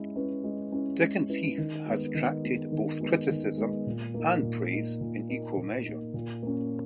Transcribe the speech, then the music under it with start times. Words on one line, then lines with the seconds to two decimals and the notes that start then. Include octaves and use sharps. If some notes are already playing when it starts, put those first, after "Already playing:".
Dickens Heath has attracted both criticism and praise in equal measure.
Already playing: G#3 C#4 E4
0.15 C#4 E4 B4
0.44 G#3
0.72 C#4 E4 B4
1.01 G#3
1.29 C#4 E4 B4
1.58 D#3
1.86 G#3 B3
2.14 D#3
2.44 G#3 B3
2.72 D#3
3.01 G#3 B3
3.30 D#3
3.58 G#3 B3
3.87 A#2
4.14 A#3 D#4
4.43 A#2
4.72 A#3 D#4
5.01 A#2
5.29 A#3 D#4
5.57 A#2
5.85 A#3 D#4
6.14 A#2
6.43 A#3 C#4